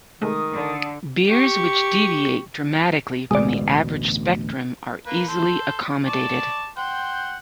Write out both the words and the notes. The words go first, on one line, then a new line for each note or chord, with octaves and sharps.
Beers which deviate dramatically from the "average" spectrum are easily accommodated.
C3 D#3 G#3 A3 D#6
D3
G4 C#6
A1 D2 B2 G#3 D5
A#3 B4
A4 C5
D5 A5 C#6
C5 F#5 G5